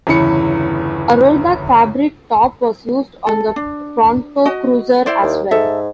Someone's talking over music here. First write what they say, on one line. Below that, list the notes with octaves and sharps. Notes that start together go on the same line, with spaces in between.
A roll-back fabric top was used on the Pronto Cruizer as well.
G1 E2 C#3 E4 B5 C#7
A4
D4
F#4 D#5
E4 C5 D5
D#2
G#2 A4 E5